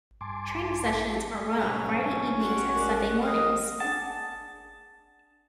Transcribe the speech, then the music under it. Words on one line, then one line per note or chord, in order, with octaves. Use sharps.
Training sessions are run on Friday evenings and Sunday mornings.
G2 G#5 A5 C6 D6
B1 G#2 C#4 C#5
D4 F#4 C#5 D5
A#4 D6 F#6
A#3 D#5 D#6 F6
D4 G#4 F#5 A5